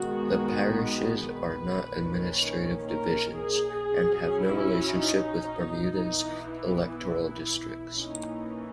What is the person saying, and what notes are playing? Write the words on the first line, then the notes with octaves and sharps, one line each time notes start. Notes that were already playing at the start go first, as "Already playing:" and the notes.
The Parishes are not administrative divisions, and have no relationship with Bermuda's electoral districts.
Already playing: D#3 G#3 B3 F#4
B4
D#3 A#3 C#4
A#4
G#4
F#3 C#4
E4
D#4
E3 B3 D#4
E4
E3 A#3 C#4 D#4